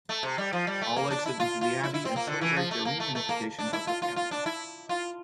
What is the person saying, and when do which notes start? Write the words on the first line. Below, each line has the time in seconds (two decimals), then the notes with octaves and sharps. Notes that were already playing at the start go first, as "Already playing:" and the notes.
All exit into the abbey to celebrate the reunification of the family.
0.09 A3
0.23 C3
0.38 G3
0.53 F3
0.67 G3
0.82 A3
0.96 A#3
1.10 D4
1.26 E4
1.40 F4
1.61 F4
1.84 E4
1.94 E4
2.05 C4
2.16 A#3
2.27 D3
2.41 E3
2.56 F3
2.71 A3
2.85 A#3
3.00 A3
3.15 A3
3.29 A#3
3.59 D4
3.73 E4
3.87 F4
4.02 F4
4.16 F4
4.31 D4
4.46 E4
4.89 F4